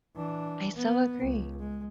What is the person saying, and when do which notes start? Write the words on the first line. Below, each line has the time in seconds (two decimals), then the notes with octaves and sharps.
I so agree.
0.15 E3 D4
0.76 B3
1.19 C#2
1.59 G#3